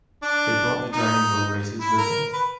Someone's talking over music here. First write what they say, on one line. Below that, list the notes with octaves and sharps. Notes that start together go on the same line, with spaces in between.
They brought the dragon boat races with them.
D4
D#4
E4
A#4
B4